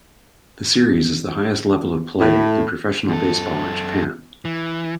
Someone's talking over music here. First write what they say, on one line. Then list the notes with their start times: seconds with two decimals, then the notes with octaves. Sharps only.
The Series is the highest level of play in professional baseball in Japan.
2.19 A2
3.09 F#2 A4
4.45 E3